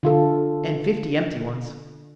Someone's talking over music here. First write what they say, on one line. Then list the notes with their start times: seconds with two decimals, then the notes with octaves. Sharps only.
"And fifty empty ones."
0.03 D3 F4 A4